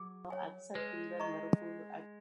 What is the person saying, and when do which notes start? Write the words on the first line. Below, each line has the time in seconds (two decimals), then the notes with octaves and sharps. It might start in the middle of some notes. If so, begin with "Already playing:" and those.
They find him guilty of treason and sentence him to death.
Already playing: F#3 G#4
0.30 C#5 G#5
0.75 G#3 B4
1.20 D#5 A#5 C#6